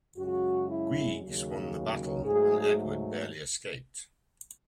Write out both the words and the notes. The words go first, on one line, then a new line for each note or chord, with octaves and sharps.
Guigues won the battle and Edward barely escaped.
F#2 C#3 G#3 F#4
E4
D#2 C#3 F#3
G#2 F#3 A3 G#4